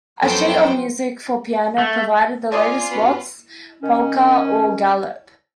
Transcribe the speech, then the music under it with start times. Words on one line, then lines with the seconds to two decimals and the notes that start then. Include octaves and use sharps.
A sheet of music for piano provided the latest waltz, polka or galop.
0.23 F#2 F3 F#3 B3 A4 C5 G5
1.78 A3
2.52 F4 G#4 C5 D5 G#5
2.91 G2 B3 C#4 F#4
3.82 D#3 C#4